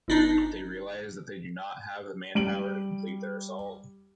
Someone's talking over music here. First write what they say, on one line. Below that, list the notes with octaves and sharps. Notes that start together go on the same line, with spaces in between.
They realize that they do not have the manpower to complete their assault.
G1 D4 D#4
G3 D7 F#7